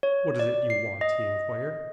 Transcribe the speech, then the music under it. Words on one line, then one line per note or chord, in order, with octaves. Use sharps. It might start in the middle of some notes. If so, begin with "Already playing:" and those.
"What is it you want?" he inquired.
C#5
D5
C7
D#5